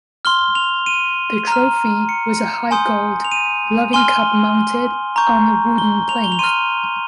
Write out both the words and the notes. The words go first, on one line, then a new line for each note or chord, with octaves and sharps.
The trophy was a high gold loving cup mounted on a wooden plinth.
C6 F6 G7
F7
D#7
A#5 F6
C#7
G#5 C6 D#6 G6
F7
D#7
G#5 C6 F6 G7
A#5 C#6 G6
G7
F7
G7
F7
C6 F6 D#7